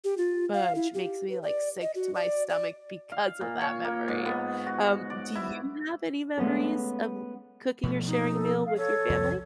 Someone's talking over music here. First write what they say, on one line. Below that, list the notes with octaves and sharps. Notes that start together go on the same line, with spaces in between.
"fudge" makes me, like, sick to my stomach because of that memory. Um, do you have any memories of cooking or sharing a meal with your family?
G4
F4
F5
E4
G4
B4
D5
D#5
F#4
D5
D5
F5
A#2
C#5
A#3
G#2
B3
F#4
D5
E4
G#3 A3 B3 C#4 A4
B2 F3 A3
D#4
A4
F5
A4 C#5
C2 F2 F3